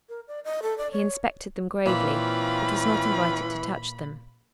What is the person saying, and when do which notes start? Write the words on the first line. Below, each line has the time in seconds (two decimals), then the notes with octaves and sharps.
He inspected them gravely, but was not invited to touch them.
0.09 A#4
0.28 D5
0.44 D#5
0.62 A4
0.78 D5
0.92 C#5
1.86 A#2 E3 C4 C#4 F4 B5